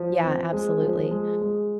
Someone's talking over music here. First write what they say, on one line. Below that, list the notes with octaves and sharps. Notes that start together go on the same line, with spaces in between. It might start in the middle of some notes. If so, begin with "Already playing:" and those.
Yeah, absolutely.
Already playing: F3
C4
G#3
F3
G#3
G#3